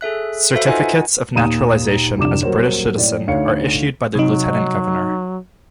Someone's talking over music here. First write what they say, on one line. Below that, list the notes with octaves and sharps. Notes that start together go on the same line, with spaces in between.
Certificates of naturalisation as a British citizen are issued by the Lieutenant Governor.
G#4 A4 E5 F#6
F#4 A4 B4 C5 E5 F5
D#4 F4 D#5 F#5 G#5
D#2 A#2 A#5 D#6 D#7 E7
C2 F2 C3 D4 D6 E7
D#1 F#3 A#4 C5 C#5
A2 D5
D2 D#4 C#5 F5 C#7
C3 F#3 D#4